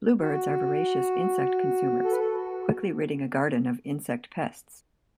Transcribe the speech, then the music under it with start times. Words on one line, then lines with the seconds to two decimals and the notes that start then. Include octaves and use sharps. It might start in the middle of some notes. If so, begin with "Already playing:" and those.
Bluebirds are voracious insect consumers, quickly ridding a garden of insect pests.
0.21 F#4
2.05 A4
2.12 B4
2.19 A4
2.35 F#4